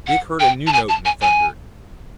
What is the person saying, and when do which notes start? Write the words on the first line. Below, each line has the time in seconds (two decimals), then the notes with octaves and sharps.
Dick heard a new note in the thunder.
0.07 F#5
0.40 G5
0.67 A5
0.73 G#5
0.89 A5
1.05 G#5
1.22 G#5